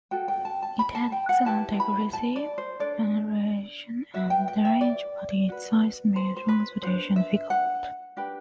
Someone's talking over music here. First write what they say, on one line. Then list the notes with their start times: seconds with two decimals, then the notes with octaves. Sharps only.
It had excellent accuracy, penetration and range, but its size made transportation difficult.
0.11 F#4 A4 G5
0.28 G5
0.45 A5
0.62 A5
0.79 B5
0.95 A5
1.12 G5
1.29 F#5
1.45 E4 G4 B4 A5
1.80 B5
2.13 A5
2.36 D5
2.58 C5
2.80 D4 A4 D5
4.14 F#4 B4 E5
4.30 G5
4.48 G5
4.65 E5
4.81 D5
5.49 F#4 B4
6.16 C5
6.37 C5
6.49 B4
6.82 F#4 B4 C5
6.87 D4
7.16 E5
7.50 F#5
8.17 D4 G4 B4